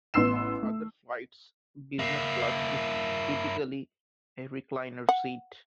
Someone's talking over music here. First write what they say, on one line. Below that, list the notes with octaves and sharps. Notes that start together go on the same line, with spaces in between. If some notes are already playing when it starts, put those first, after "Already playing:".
On other flights, Business class is typically a recliner seat.
A1 B3 C6 E6 C7 E7
A3
A#3 E4
F#5